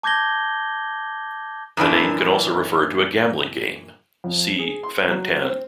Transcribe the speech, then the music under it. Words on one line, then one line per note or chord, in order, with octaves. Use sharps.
The name can also refer to a gambling game, see Fan-Tan.
A5 D6 G6 G#6 A#6 G7
F#2 A#2 E3 D4
F2
G#4
C6
F#3
C4